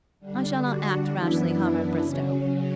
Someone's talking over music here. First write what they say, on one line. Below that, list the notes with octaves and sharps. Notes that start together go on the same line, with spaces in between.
I shall not act rashly, Comrade Bristow.
D3 G3 D4
D4 F#4
F#2 E3 B3 D4 E4
C#3 F#3 C#4